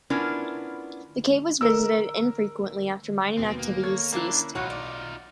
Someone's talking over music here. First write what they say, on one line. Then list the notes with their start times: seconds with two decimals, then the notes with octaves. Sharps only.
The cave was visited infrequently after mining activities ceased.
0.10 B3 C#4 D4 E4 F4 A#4
1.61 A#4 E6
3.37 D#2 B2 B3 C4
3.59 A#3
3.82 A4 C#5 G#6
4.13 A#3 C#4 D4 E4 F#6
4.55 B1 A2 D#4 F4 F#4 C#5
4.70 D5